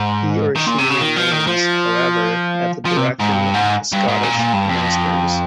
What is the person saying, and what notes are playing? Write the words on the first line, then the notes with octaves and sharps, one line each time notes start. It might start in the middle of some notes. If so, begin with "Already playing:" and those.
He or she remains, however, at the direction of the Scottish ministers.
Already playing: G#2
D#3
A#2
C3
C#3
D#3
F3
D#3
F3
F3
C3
G#2
G2
G#2
G2
G#2
A#2
A#2
G2
F2